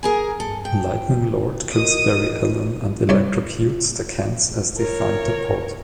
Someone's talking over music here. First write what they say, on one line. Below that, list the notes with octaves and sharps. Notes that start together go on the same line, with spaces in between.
Lightning Lord kills Barry Allen and electrocutes the Kents as they find the pod.
G#4 A#4 G#5
A4
G5
F#4 A#4 D#5 D#6
C2 C#5 D5
A#4 C#5